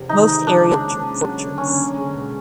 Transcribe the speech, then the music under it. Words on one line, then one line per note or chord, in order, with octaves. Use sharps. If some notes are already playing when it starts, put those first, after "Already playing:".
Most areas are orchards.
Already playing: E2 C3 G3
D#3 D#4
G#3
F3 D4
C#3
A#3
C#4
F#3
D3
A#3 C#4
D3
G#3
B2